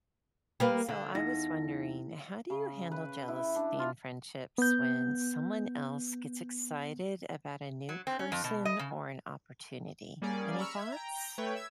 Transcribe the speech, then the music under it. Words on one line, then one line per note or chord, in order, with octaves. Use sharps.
So, I was wondering, how do you handle jealousy in friendships, when someone else gets excited about a new person or an opportunity? Any thoughts?
G3 A#3 B4
D3
E2 D#4 A#6
C#3
B4
E4
D4
F4
B3 G6
F#3
C4
C#4
F2
B2
D#5
C#3
G3 A#3 C#4 G#4 D5
A#5 B5 C#6 E6 F6
E5 G#6
G5 A#5
A3 B4 C#5 G5
E5 E6 G#6